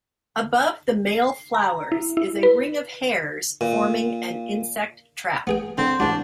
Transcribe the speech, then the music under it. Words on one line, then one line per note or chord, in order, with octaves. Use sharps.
Above the male flowers is a ring of hairs forming an insect trap.
C7
A#5
E4
E4
B4
A#2
B3 G#4 G5
D3 C4
A1 D4 F#4